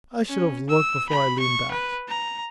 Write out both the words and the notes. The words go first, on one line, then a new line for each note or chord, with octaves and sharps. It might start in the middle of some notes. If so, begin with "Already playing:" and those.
I should have looked before I leaned back.
C#4
E6
B5
C#6
B4
A#5